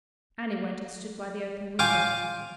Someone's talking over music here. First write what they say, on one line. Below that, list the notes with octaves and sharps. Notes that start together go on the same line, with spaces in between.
Annie went and stood by the open window.
F4 F5 G5 G#5 D6